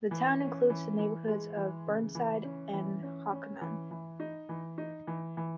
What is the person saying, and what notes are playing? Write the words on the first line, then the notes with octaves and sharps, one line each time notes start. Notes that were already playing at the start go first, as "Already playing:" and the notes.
The town includes the neighborhoods of Burnside and Hockanum.
E3
C#4
E3
E3
G#3
E3
C#3
E3
C#4
E3
C#4
C#4
E3
E3
D#4
E3
D#4
E3
E3